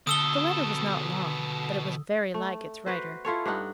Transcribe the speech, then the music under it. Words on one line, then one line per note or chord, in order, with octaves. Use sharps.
The letter was not long, but it was very like its writer.
B2 D3 A4 D#6 E6 G7
A3
F#4 B4 C5
E4 F4 A4 C#5
G2 D4 D#4 F#5